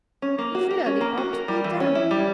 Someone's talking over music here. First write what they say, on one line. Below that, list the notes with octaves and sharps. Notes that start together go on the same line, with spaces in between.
It really ought to be done.
C#4
A#3
F#4
A#4
C#4
A#3
F#4
A#4
G3
E3
C#4
E4
G3